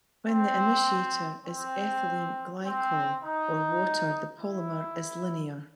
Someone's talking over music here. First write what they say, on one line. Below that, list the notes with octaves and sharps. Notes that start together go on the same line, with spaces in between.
When the initiator is ethylene glycol or water the polymer is linear.
C4
C4
C4
D#4
E4